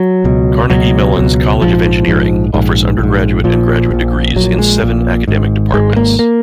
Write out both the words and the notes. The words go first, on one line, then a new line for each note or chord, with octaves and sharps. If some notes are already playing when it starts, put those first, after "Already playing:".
Carnegie Mellon's College of Engineering offers undergraduate and graduate degrees in seven academic departments.
Already playing: F#3
C#2 B2
C#2 B2 F#3
C#2 B2
A#1 G#2 F3
A#1 G#2
A#1 G#2
A#1 G#2
A#1 A#2 F3
A#1 A#2
A#1 A#2 F#3
G#3
A#1 A#2
G#1 G#2
G#1 G#2 G#3
A#3
A#3